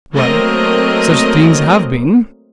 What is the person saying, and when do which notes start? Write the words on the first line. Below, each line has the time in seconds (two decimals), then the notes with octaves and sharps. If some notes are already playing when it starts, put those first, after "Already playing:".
"Well, such things have been."
0.15 F#3 A3 A#3 C4 A#4 D#5